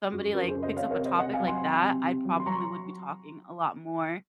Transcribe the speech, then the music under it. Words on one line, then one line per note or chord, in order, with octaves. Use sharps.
somebody, like, picks up a topic like that, I probably would be talking a lot more.
F#2 F#4
F#2 F#4 A#4
G#4 C5
C#3
C5 D#5
C4 C#5 F5
A#4 C#5
C3
C5 D#5
C3 D#5 F#5
F5 G#5
F#3
G#5 C6
C4
C3
C3
F#3
C6
F#3 A#5 C#6